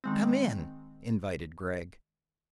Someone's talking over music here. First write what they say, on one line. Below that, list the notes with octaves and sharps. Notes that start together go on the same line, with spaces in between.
"Come in," invited Gregg.
D#3 G#3 C4